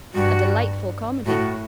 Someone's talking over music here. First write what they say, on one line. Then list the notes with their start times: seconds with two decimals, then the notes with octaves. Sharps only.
A delightful comedy.
0.14 G2 F#4
1.26 A2 F#4